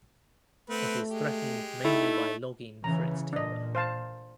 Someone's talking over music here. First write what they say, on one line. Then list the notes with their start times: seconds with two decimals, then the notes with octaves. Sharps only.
It is threatened mainly by logging for its timber.
0.70 A3 B3 C4 B4
1.11 G#3 G4
1.85 A3 D#4 E4
2.84 C#3 E3 A#5
3.33 A#2 D4 D#5
3.75 C5 F5 A5